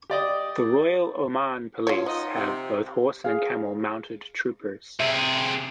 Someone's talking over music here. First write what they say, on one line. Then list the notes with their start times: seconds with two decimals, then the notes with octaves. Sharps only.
The Royal Oman Police have both horse and camel mounted troopers.
0.10 G4 D5 D#5
1.87 F4 C#5
2.06 F3 D#4 F4 D#5 F#5
2.34 C3
3.24 G#4 F5
5.00 C3 G#4 E5